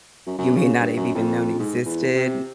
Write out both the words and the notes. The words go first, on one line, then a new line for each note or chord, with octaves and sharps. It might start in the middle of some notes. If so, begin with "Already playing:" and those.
you may not have even known existed
F#2
F#2
C#3
G2
F#2
F2
G#2
E2
C3